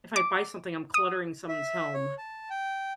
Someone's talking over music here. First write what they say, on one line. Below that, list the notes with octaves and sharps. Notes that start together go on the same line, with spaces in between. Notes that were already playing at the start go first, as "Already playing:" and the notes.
if I buy something, I'm cluttering someone's home.
D6
D#6
E5
C#5
A5
G5